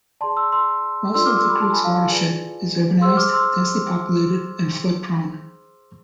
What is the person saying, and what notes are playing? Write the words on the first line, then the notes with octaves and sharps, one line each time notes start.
Most of the creek's watershed is urbanized, densely populated and flood-prone.
G#4 D5 A5 C6
C6 E6
C6 E6
D4 F4 A4 D5 C6 E6
D6 F6
C6 E6
B5 D6
A5 C6
G#5 B5
F5 A5
F5
F4 G#4 B4 D5 G#5
G#4 C5 C6 E6
D6 F6
C6 E6